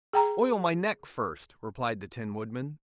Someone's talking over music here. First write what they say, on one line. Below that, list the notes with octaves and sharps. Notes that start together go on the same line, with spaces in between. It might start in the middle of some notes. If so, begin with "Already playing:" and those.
"Oil my neck, first," replied the Tin Woodman.
G#4 G5 A#5